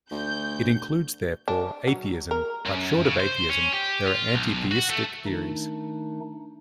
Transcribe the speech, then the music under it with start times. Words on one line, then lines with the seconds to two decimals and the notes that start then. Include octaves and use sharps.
It includes, therefore, atheism, but short of atheism there are anti-theistic theories.
0.11 D2 G6
1.48 D4
1.87 F#3
2.31 A#4
2.66 F#2
3.05 C#3
3.20 C5
3.49 C#4
3.73 G4
4.07 F4
4.35 B1
4.71 F#4
4.90 A3
5.26 D#3 A3 D4 D#4